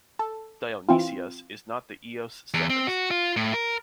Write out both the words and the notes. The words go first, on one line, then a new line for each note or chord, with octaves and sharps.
Dionysias is not the -ios suffix.
A4
E3 C4 F4
E2
C4
F#4
F4
A2
A#4